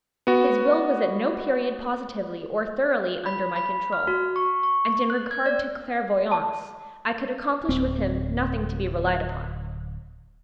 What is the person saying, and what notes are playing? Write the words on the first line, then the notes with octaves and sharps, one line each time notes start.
His will was at no period positively, or thoroughly, under my control, and in regard to clairvoyance, I could accomplish with him nothing to be relied upon.
B3 F#4
B5
B5
F6
F#4
C#6
C#6
F#6
G#6
D5
A5
D1 C4